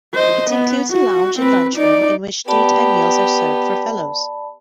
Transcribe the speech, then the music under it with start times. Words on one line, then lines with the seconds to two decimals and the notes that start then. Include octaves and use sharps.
It includes a lounge and lunchroom in which daytime meals are served for fellows.
0.14 C5 D#5
0.50 B3
0.93 F#4
1.39 C4 B4
1.76 D#4 D5
2.48 B3 G4 D5 A5 B5